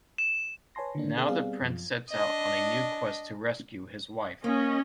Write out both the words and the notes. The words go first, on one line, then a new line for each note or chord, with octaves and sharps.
Now the prince sets out on a new quest to rescue his wife.
E7
B4 C#5 G#5 A5 C6 A#6
D3 D#3 A#3 D4
B3 C4 G#4 A#4
G3 B3 C4 G#4 D5 F5
F#2 F3
D4 D#5
A#3 C#4 D#5